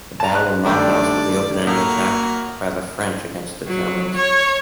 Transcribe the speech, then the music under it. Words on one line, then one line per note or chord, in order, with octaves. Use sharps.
The Battle of Mulhouse was the opening attack by the French against the Germans.
A5 A#5
F#6
D#3 G3 A3 D4 D5
A2 A#3 F#4 A#4
F#3
C#5